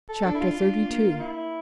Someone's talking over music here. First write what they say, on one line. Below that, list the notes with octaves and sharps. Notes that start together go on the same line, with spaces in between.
Chapter XXXII.
A4
D4 A4
E4
F4
D4
A#3
F4
E4